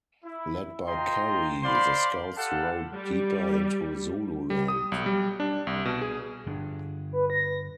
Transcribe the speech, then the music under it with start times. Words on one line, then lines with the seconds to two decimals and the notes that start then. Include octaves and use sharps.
Led by Carey, the scouts rode deeper into Zululand.
0.24 E4
0.87 F4 D#5 G5 A#5 C6
1.64 C5 D5 F5 B5 C6
2.37 G4 A4 F5 F#5 A5
2.93 G3
4.50 G3
4.68 D#6
4.92 B1
5.06 G3
5.40 D4
5.67 C2
5.85 B2
6.01 G#4
6.46 G2 D3
7.13 B4
7.30 A#6